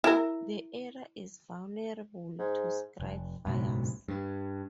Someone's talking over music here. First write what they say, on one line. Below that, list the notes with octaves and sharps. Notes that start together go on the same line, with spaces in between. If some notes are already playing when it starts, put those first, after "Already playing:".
The area is vulnerable to scrub fires.
E4 A#4
G#2
F1
F#1 B1 G#2 B2
G2